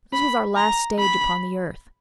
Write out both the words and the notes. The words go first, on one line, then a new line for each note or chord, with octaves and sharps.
This was our last stage upon the earth.
B5
A#5
B5